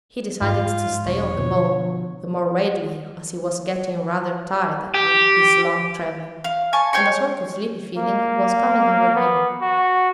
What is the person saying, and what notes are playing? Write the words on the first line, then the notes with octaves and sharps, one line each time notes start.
He decided to stay on the ball, the more readily as he was getting rather tired with his long traveling, and a sort of sleepy feeling was coming over him.
G#2 F4
E1 C#5
B2 D3 F3
G4
F5
G#5 A5 C#6
C#5 G5 C6 C#6
A#3
B3
F#4